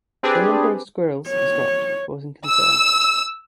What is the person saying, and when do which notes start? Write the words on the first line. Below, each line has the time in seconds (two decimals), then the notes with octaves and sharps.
The number of squirrels has dropped causing concern.
0.23 C4 D4 G4 G#4 B4 D5
1.28 C#5
2.46 E6